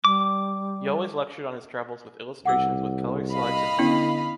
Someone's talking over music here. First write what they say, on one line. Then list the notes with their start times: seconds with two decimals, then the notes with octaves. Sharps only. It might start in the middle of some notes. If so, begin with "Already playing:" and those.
He always lectured on his travels with illustrations with color slides and movies.
0.05 G3 D6
2.45 C2 F#5 D6 E6
3.32 D#5 F5 B5
3.79 D3 B3 C#4 E4